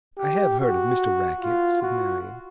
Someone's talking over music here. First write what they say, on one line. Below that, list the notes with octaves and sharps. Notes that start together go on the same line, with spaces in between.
'I have heard of Mr Rackett,' said Marian.
G4
F#4
F4
F#4